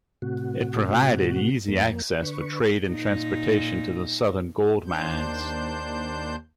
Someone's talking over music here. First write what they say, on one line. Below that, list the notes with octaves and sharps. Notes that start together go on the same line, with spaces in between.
It provided easy access for trade and transportation to the southern gold mines.
A2 C3 F#4
F2 A#3
D3 B4 C#6
A#2 D#4
D#2 D4 C5 G6